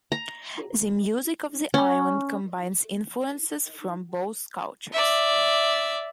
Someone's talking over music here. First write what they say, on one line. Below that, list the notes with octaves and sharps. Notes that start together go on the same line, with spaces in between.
The music of the island combines influences from both cultures.
A#5
C#4
D5 E5